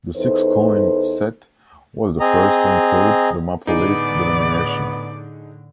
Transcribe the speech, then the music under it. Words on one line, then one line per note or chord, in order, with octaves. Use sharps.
The six-coin set was the first to include the Maple Leaf denomination.
E2 D#4 A4 B4 C5
C4 G#4 D#5 A#5
A2 D3 B3 D#4 G#4 D5